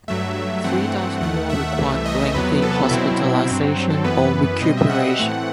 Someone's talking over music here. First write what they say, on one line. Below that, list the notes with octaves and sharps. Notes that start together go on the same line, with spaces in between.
Three thousand more required lengthy hospitalization or recuperation.
G2 F#3 A3 E5
G2 E3 A3 C4 F#5
D#2 D#3 A3 F#5
E5
C2 C3 E3 A3
D#5
E2 C3 F#3 B3 B4
A4
B2 F#3 C4 E4
G2 F#3 C4
A4
F#2 E3 B3 B4
B2 G3 C4 D#5
E5
F#5
A2 E3 A3 C4